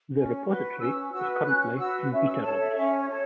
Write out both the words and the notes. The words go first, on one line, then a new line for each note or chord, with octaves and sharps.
The repository is currently in beta release.
C#4
F#4 B4
C#4 E6
F#4 B4 E6
C#4 F#6
F#4 B4 E6
C#4 E5
E6
A4 C#5 A5
E5
C#4 E5
C#5
A4 C#5